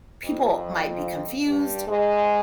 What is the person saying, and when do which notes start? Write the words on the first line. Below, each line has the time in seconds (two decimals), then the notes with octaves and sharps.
people might be confused
0.25 F2 F3
1.46 G2 G3
1.86 G#2 G#3